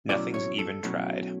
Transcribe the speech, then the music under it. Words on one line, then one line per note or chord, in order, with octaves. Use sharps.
Nothing's even tried.
B2 F#3 A3 C#4 E4 D5
C#5
A4
B2 F#3 A3 C#4 E4